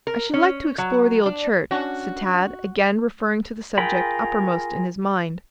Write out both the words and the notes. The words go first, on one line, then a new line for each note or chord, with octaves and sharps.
"I should like to explore the old church," said Tad, again referring to the subject uppermost in his mind.
A#4
C#4
F#3
D4
C#4 D4 F#4
F4 G#4 A#4 G5 B5